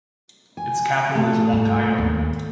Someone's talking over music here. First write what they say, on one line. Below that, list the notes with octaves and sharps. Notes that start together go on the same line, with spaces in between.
Its capital is Huancayo.
G#5
A3
G#2
D#2